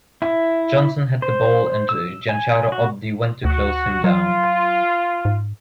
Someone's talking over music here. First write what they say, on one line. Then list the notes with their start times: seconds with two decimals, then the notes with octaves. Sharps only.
Johnson had the ball and Giancarlo Oddi went to close him down.
0.22 E4
1.22 C5
1.89 E6
2.29 G#5
2.72 F#4
3.45 D2 F#4
4.04 F#3 F4
5.25 G#2